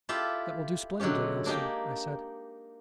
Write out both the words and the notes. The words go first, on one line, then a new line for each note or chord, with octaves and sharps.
"That will do splendidly, Elsie," I said.
E4 F4 G4 A4 E5
D3 F#3 G#3 C#4 G4
A#3 D4 D#4 G4 G#5